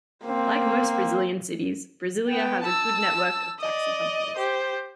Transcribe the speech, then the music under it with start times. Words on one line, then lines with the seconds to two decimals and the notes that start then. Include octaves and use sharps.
Like most Brazilian cities, Brasilia has a good network of taxi companies.
0.25 A#3 C4
2.29 B3 G5
2.62 A5 E6
3.60 D5 D#5
4.36 G4 C5